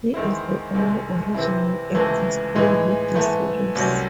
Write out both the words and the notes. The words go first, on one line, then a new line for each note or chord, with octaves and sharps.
He is the only original actor still with the series.
E2 D#3 G#3 C4 E4
C2 C3 D#3 G#3
C3 E3 C4 E4
C#2 C3 E3 A3
A2 E3 G#3 D#4
G#2 E3 A3
C2 C3 F#3 C#4